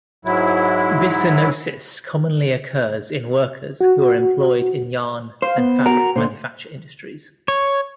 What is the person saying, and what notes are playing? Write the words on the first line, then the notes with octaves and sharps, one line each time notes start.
Byssinosis commonly occurs in workers who are employed in yarn and fabric manufacture industries.
G#2 F#3 E4
F#4
C5 F5
B3
F#4 A#4
A#2 D3 C5
C#5